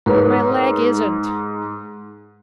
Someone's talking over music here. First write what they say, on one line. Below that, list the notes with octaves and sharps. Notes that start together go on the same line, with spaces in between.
But my leg isn't.
G#2 A#4 B4 C#5